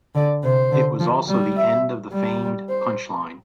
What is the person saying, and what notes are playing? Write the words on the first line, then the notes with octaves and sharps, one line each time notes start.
It was also the end of the famed "Punch Line".
D3 D5
C3 C5
D3
F3
G3
E5
G3
C5